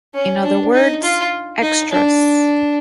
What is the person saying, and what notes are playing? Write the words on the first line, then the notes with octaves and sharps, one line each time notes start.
In other words, extras.
C#4
D4
D#4
F4
D#4
D4